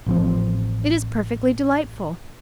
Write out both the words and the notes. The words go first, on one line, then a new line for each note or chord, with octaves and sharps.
It is perfectly delightful.
A1 F3 C4